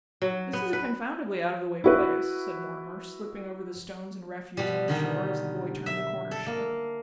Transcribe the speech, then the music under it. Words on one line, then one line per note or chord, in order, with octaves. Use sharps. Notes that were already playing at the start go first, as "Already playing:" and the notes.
'This is a confoundedly out-of-the-way place,' said Mortimer, slipping over the stones and refuse on the shore, as the boy turned the corner sharp.
F#3
B3
B4
E4 F#4 B4
B2 G3
D3 D#3 G3
E5
A4
A#3